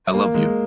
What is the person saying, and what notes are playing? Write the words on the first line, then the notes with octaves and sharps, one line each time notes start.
I love you.
A#3
G#3